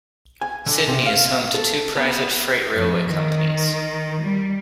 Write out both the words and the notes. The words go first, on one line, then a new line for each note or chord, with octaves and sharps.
Sydney is home to two private freight railway companies.
G#5
D3
C3
F5
A4
B3
F2
D#3
G3